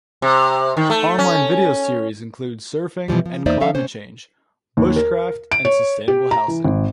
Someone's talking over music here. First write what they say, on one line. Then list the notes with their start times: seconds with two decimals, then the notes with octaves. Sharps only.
Online Video series include Surfing and climate change, Bushcraft and sustainable housing.
0.22 C3
0.77 D#3
0.90 A3
1.19 C#4
3.08 B2 E3 F3 G3
3.26 F3
3.46 E2 A#3 D#4 C5 D5 E5
3.60 F3 C#4 A4 E5 F5
3.75 C3 C#4 C5
4.77 D#2
4.96 A#4
5.52 D7
5.65 C#5
6.08 G4
6.31 A#5
6.48 E3
6.65 G#1